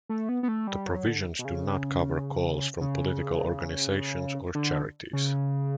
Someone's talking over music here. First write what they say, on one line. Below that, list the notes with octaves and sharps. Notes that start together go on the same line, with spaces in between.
The provisions do not cover calls from political organizations or charities.
A3
B3
B3
A3
G3
F#3
D3
B2
C#3
C#3
D3
C#3